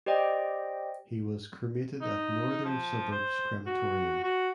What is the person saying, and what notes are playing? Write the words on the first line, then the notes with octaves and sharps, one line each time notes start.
He was cremated at Northern Suburbs crematorium.
G4 C5 D5 D#5 G5
D#4
F3
C5
F#4
F#4